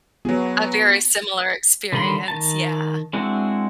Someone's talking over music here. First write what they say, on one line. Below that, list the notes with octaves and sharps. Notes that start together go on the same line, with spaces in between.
A very similar experience, yeah.
F#3 B3 F#4 G#4
D3 D#3 G3 B5 C6
D#3 A5
G#3 C4 D4 E4 F#4